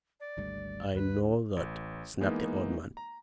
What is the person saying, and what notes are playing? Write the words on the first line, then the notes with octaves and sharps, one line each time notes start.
"I know that," snapped the old man.
D5
G#1 D2 G3
D2 D4 B4
A1
E3 G#3 A#3 B3 D#4
A#5